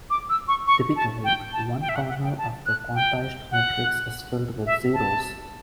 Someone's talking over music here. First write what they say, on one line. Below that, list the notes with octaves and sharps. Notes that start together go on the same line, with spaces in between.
Typically, one corner of the quantized matrix is filled with zeros.
D6
E6
C#6
C#6
A5
G5
A5
G5
E5
F#5
F#5
G5
A5
F#6
G5
F#5
E5
A5